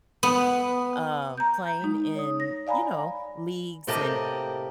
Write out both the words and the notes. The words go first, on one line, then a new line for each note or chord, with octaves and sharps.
um, playing in, you know, leagues and
B3
A#5 G6
G#3 D#4
C#5 D#6
A#6
D5 F5 G#5 A#5 B5
A2 C3 A#3 G4 D#5 A5